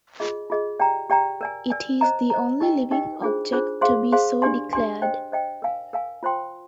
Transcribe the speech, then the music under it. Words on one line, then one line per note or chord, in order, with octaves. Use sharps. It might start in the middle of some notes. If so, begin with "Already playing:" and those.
It is the only living object to be so declared.
F4 G#4 D#5
F4 G#4 D#5
G4 D5 G5 A#5
G4 D5 G5 A#5
A#4 D5 G#5
A#4 D5 G#5
C5 D#5 A#5
C5 D#5 A#5
D#4 G4 A#4 D#5 G5
D#4 G4 A#4 D#5 G5
D4 F4 G#4 C5
D4 F4 G#4 C5
G#4 C5 F5 C6
G#4 C5 F5 C6
D4 G4 D5 G#5 C6
D4 G4 D5 G#5 C6
C5 D#5 G5
C5 D#5 G5
A#4 F5 G#5
A#4 F5 G#5
F4 C5 G5 C6